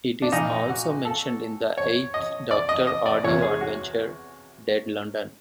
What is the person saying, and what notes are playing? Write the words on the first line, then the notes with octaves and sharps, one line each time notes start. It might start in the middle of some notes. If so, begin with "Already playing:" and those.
It is also mentioned in the Eighth Doctor audio adventure "Dead London".
D4
A#2 F3 D#4
F#4
A4
C#5
D#5
D5
D#5
D#5
D5
E2 C3 E3 C#5
G#4
F#4